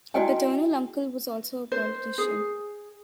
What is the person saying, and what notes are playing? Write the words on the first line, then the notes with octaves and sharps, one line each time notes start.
A paternal uncle was also a politician.
E4 F#4 D5 D#5 G5 G#5
C5
G#4